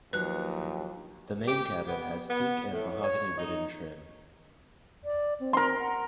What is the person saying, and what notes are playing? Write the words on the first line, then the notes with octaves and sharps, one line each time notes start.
The main cabin has teak and mahogany wooden trim.
D#2 F3 F#3 D4 B4 F#6
G4
B3
B3
A2
C#5
D#4
D5
C4
A#4 C6
F#5